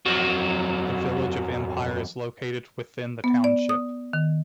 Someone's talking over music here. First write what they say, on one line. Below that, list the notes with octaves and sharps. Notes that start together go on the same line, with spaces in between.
The village of Empire is located within the township.
F2 F#3
B3
D5
D#6
D#3